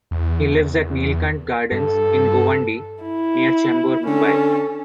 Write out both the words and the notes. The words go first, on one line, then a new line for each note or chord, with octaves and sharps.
He lives at Neelkanth Gardens in Govandi near Chembur, Mumbai.
E2
G2 A4
E4
D3 C#4 A4